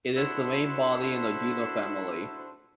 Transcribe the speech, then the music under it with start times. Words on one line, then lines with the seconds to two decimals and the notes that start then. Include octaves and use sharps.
It is the main body in the Juno family.
0.17 D4 E4 F#4 A4 C5